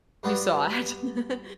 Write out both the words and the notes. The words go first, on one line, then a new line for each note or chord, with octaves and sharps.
You saw it.
G2 G3 B3 D4 F4 F#4